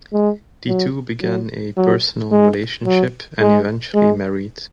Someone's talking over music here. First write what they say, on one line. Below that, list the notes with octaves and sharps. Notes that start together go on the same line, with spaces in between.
The two began a personal relationship and eventually married.
G#3
F#3
F#3
F#3
G#3
F#3
G#3
G#3